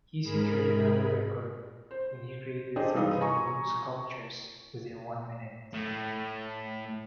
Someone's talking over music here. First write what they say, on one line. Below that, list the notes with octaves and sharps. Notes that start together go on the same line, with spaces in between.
He secured another record when he created thirteen balloon sculptures within one minute.
G#2 G#4 A#4 B5
C5
D4 G4 G#4 C5 D#5
G2 E3 B3 D#4 F5 D#6
G#5 A#5 C#6
A2